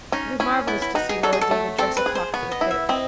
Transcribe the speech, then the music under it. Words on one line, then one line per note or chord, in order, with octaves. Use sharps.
It was marvellous to see Lord David dress a cock for the pit.
C#4 D#4
C#4 E4
B3 E4
E4
D#4 F#4
G#4
F#3 A4
G#4
A4
A3
C4 A4
B4
G#4
C5
B3 C#5
D#5
E4
E5
C4 D#5